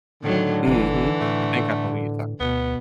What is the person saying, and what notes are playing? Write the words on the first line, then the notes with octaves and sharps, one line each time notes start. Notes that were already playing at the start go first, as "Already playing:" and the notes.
Mhm. I think I know who you're talking about.
A2 D3 D#3 F#3
G1 E3
A2 A3
D2 B2 B3